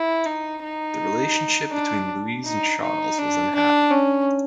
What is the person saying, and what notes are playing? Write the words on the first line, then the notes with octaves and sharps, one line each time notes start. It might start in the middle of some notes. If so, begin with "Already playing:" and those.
The relationship between Louise and Charles was unhappy.
Already playing: E4
D#4
D#4
D4
D#4
D#4
D4
D4
C#4